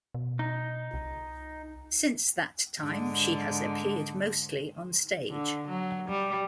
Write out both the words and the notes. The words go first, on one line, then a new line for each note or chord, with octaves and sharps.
Since that time she has appeared mostly on stage.
B2
D#4
C2
G#2 D3
D3
F#3
G3